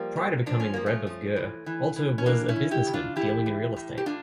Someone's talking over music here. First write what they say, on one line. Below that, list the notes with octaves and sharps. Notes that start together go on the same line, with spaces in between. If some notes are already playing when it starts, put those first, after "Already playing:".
Prior to becoming Rebbe of Ger, Alter was a businessman dealing in real estate.
Already playing: F3 G3 A#3
A#2
F3 D4
C#4
F3 A#3
A3 C#4
F3
E3
E3
E3
C#4
E3 A#3 D4
C#4 E4
E3
E4 G4
C#3
D4 F4
E3 E4 G4
E3
A2
G4
A2 D4 F4